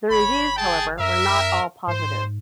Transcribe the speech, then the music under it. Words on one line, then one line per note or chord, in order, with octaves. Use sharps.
The reviews, however, were not all positive.
G1 C#5 B5
G#4 G5 A5
F#2 A#4 E5
G#2 C5